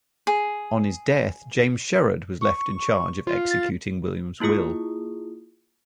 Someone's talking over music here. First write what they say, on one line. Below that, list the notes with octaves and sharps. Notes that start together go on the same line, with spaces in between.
On his death James Sherard was left in charge of executing William's will.
G#4
C#6
F4
A6
A#3 E4 F4 G#4 D#6